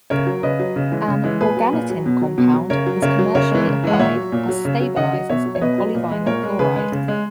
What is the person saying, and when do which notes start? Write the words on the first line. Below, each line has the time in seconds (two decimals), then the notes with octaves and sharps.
An organotin compound is commercially applied as stabilizers in polyvinyl chloride.
0.10 C#3 A#4 C#5
0.27 F#3
0.43 C#3 B4 D#5
0.59 F#3
0.76 C#3
0.92 E3 G#3
1.08 C#3
1.24 E3 G#3
1.40 A#2 G#4 B4
1.57 F#3
1.73 A#2
1.90 F#3
2.06 B2
2.22 F#3
2.38 B2
2.54 F#3
2.70 C#3 A#4 C#5
2.86 F#3
3.02 C#3 A#4 C#5
3.19 F#3
3.35 C#3 A#4 C#5
3.51 E3 G#3
3.67 C#3
3.84 E3 G#3
3.93 F#5
3.99 A#2 C#5 E5
4.16 F#3
4.32 A#2
4.49 F#3
4.65 C#3
4.81 F#3
4.96 C#3 D#5 F#5
5.13 F#3
5.29 B2 C#5 E5
5.46 F#3
5.55 C#5
5.62 B2 B4 D#5
5.78 F#3
5.94 A#2
6.11 G#3
6.26 A#2 A#4 C#5
6.43 G#3
6.59 C#3 G#4 B4
6.76 G#3
6.92 C#3
7.08 G#3